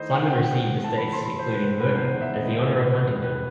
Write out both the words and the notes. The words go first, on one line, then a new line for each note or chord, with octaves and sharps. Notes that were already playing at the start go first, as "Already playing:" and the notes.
Simon received estates including Merton as the honour of Huntingdon.
Already playing: D#3 A3 E4 C5 D#5
F#5
G5
A2 E3 A3 A5
B5
C6
B5
C5
B4
B4
B4
E2 C3 D#3 G3 B3 C5
F#5
E5
D#5
C5
B4
B4
E2 B2 F#3 C4 B4
B4